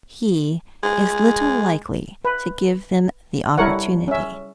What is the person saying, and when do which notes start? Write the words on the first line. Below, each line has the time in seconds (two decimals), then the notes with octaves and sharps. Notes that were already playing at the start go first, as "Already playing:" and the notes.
He is little likely to give them the opportunity.
0.83 G#3
2.25 B4
3.58 G3 E4 A4 A#4 C#5 F#5
4.08 C#4 E5